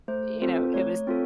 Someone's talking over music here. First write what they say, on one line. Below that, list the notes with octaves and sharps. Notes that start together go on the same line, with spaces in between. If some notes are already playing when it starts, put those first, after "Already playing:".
you know, it was
A3 C5
C4 F4 A4
A3 C#5
C4 F4 A4